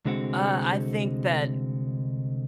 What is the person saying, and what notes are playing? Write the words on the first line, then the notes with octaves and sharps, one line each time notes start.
Uh, I think that
C2 D3 G#3 C4 F#4